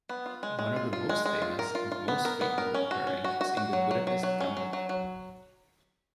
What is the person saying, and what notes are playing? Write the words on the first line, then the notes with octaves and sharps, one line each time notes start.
One of the most famous, and most frequently occurring, is in the Budapest Gambit.
B3
F4
G#3
G#3
F4
F4
G#3
G#3
F4
A#4
F4
F4
B3
A#4
B3
A#4
C#4
F#4
C#4
F#4
F#4
F#4
F#3
F#3
F#3
F#3
C#4
F#3
F#3
F#3